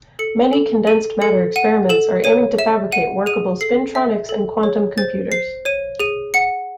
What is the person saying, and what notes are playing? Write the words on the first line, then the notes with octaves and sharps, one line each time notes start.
Many condensed matter experiments are aiming to fabricate workable spintronics and quantum computers.
A4 C#7
A4
A4 D#7
A4 C#7
F#5 D#7
A4 E7
C#5 D#7
E5 E7
F#5 D#7
G#4 D#7
A4 C7
E5
A4
C#5
C5 A6
C5 C7
C#5 D#7
G#4 D#7
F#5 C#7